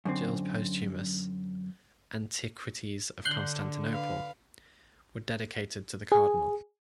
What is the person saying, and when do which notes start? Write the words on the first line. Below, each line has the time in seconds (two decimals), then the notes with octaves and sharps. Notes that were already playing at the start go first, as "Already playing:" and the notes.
Gilles' posthumous "Antiquities of Constantinople" were dedicated to the Cardinal.
0.05 F#2 D3 C4
3.25 D3 F#6 G6 C7
3.91 B4 F5
6.12 G#4